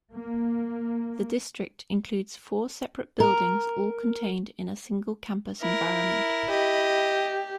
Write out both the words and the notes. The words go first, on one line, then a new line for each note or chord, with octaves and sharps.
The district includes four separate buildings all contained in a single-campus environment.
A#3
A#4
E4 A#4
G4 D#5